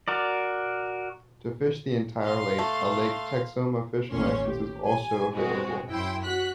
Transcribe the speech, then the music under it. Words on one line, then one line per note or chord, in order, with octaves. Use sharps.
To fish the entire lake, a Lake Texoma fishing license is also available.
F#4 A#4 D5
F5 C6
A3
A1 D#2 C#4 C#5 C6
G4
G#5
G#3 C4 F#4
F#2 E4 G5 C6
F#4 F#6 B6